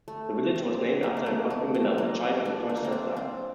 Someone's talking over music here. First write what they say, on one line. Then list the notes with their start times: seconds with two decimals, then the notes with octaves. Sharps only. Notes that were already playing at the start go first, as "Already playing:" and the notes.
The village was named after Cosby Miller, the child of a first settler.
0.08 A3
0.56 C4
1.03 A#3
1.17 A3
1.26 A#3
1.50 A3
1.74 F3
1.98 A#3
2.45 D4
2.69 A3
2.77 A#3
2.85 C4
2.92 D4
3.17 C4